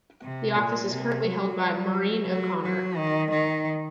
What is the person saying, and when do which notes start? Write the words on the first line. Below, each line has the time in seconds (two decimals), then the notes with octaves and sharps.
The office is currently held by Maureen O'Connor.
0.23 C3
0.57 A#2
0.91 C3
1.25 F#3
1.60 G3
1.94 F#3
2.28 F#3
2.63 F#3
2.97 D#3
3.31 D#3